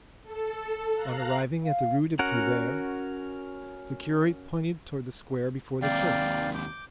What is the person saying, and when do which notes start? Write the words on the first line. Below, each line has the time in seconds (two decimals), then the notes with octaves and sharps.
On arriving at the Rue des Prouvaires, the curate pointed toward the square before the church.
0.23 A4
0.95 F5 A#5 F#6
1.65 F5
2.19 C#4 F#4 A#4 F#5
5.82 D#2 C3 D5 F5 G5
6.54 D6 G6